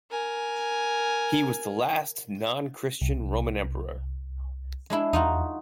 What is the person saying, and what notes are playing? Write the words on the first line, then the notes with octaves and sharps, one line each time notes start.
He was the last non-Christian Roman emperor.
A#4 G#5
C2
G#3 D4 E4
E2 D#4 F4 F#4